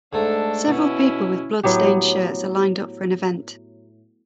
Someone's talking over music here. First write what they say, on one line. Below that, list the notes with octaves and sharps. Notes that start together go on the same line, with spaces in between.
Several people with blood stained shirts are lined up for an event.
G#2 A3 D4 A4
B2 C#4 E4
A2 F#3 B3 G4